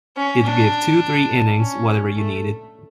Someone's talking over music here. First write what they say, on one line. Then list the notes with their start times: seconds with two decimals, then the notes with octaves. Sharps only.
He'd give two, three innings - whatever you needed.
0.17 C#4
0.44 D4
1.58 C#4
2.15 A3